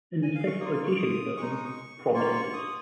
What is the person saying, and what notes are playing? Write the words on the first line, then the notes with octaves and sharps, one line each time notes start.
In the sexploitation film Promises!
G#5
F5
C#6
A#3 F4 D#6
C#6
C#6
D#6
G#3 D#4 C#6
D#6
C#6
A#3 F4 C#6
D#6